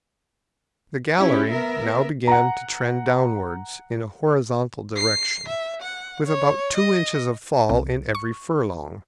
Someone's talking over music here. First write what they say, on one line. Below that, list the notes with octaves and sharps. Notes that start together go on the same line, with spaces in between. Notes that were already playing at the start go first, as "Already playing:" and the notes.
The gallery now began to trend downwards in a horizontal direction, with about two inches of fall in every furlong.
C#4 E4 G4
B3 A#4 E5
F#5 A#5
C7
E5
F#5
C#5
D#5
C2
C#6